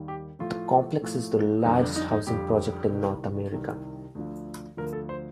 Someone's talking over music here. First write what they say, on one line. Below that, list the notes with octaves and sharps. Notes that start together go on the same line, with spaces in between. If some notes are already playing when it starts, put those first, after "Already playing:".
The complex is the largest housing project in North America.
Already playing: D#2 D#3 G3
G4
A2 F3 A3 F4
A2 F3 A3
F2 D3 G3 D#4
D4
D#4
D#4
F2 D3 G3 G4
C2 C3 D#3
C2 C3 D#3
D2 D3 F3
D2 D3 F3 A#4
A4
C5